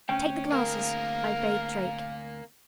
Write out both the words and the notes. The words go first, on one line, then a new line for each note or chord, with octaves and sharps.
"Take the glasses," I bade Drake.
D2 C4 C#4 G5
A#3 G#4 A#4 F5